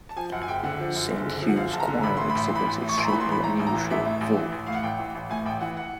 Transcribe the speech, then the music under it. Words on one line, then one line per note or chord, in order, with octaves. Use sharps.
Saint Hugh's Choir exhibits extremely unusual vaults.
A5
F3 G#5
F#2 F#5
G#5
F#1 G5
D3 F#5
F3
F#2
F#1
D3
F3
F#5
F#2 F5
F#1 A5
A#5
D3
A1 B5
A2 C6
B5
A1
C6
E3
B5
A1
A2
C#6
A1 C6
A#5
B5
E3
C6
A1 B5
A2 A#5
A1
A#5
E3
A1 E5
A2
A1
E3
A1
A2 F5
F#5
A1 G5
E3
A1
A2 G#5
A1 G5
E3 F#5
F#5